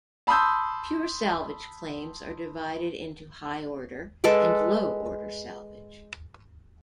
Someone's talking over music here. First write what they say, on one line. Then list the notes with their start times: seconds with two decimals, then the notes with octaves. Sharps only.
Pure salvage claims are divided into "high-order" and "low-order" salvage.
0.27 A5 B5 C6 D#6 E6 G6
4.24 G#3 A4 B4 D6